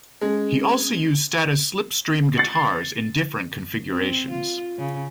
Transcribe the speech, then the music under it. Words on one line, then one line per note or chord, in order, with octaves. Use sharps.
He also used Status Slipstream guitars in different configurations.
G#3 C#4
A6 C7 C#7 F#7
C4
F4
C#3